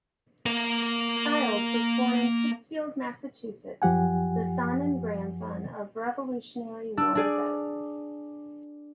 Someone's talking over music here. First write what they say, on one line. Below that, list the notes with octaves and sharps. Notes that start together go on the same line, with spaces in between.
Childs was born in Pittsfield, Massachusetts, the son and grandson of Revolutionary War veterans.
A#3 A#4
F#2 F3 G4 F#5 G#5
D4 E6
D4 G#4 D5